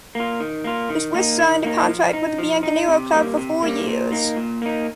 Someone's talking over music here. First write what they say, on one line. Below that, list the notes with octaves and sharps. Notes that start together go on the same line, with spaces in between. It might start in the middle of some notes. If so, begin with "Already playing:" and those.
The Swiss signed a contract with the “Bianconero” Club for four years.
A#3 F4
D#3
A#3 F4
D#3
A#3 D#4
D#3
A#3 D#4
F3
D#4
F3
D#4
C3
G3 A#3
C3
G3 A#3
A#2
A#3 D#4
A#2
A#3 D#4